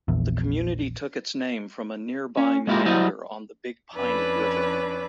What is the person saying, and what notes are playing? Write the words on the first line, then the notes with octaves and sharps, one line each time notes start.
The community took its name from a nearby meander on the Big Piney River.
A#1 E2
C#4
G#3 A#3 E4 F4 G4 A#4
F#3 G3 E4 C5 D#5
F2 C#4 D4 E4 B4 D6